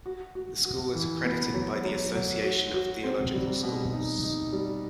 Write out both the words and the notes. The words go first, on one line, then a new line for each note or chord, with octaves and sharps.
The school is accredited by the Association of Theological Schools.
F#4
F#4
F#4
E3
B3
F#3
F#3
F#3
F#4
F#4
C4
G3
B2
D#4
D#4
G3